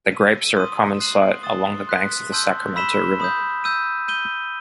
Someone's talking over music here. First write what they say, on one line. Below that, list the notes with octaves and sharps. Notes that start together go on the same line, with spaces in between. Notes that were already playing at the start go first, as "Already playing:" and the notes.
The grapes are a common sight along the banks of the Sacramento River.
E6 B6 D#7
C6 D#6 A6 D#7
F#6 C7 F#7
D#6 A6 E7 G7
C6 F#6 B6
A5 C6 E6 G6
B5 E6 B6 E7 G7
B5 D#6 G6
E6 G6 D#7
G6 D#7 G7